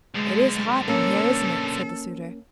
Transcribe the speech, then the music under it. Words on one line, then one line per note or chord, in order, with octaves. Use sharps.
'It is hot in here, isn't it!' said the suitor.
B1 D3 G#3
A#3 C#4 A4